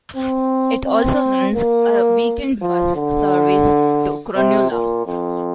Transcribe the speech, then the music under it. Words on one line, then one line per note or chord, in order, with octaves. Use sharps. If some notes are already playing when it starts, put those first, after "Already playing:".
It also runs a weekend bus service to Cronulla.
C4
C4
A#3
F3
D3
C3
A#2
F2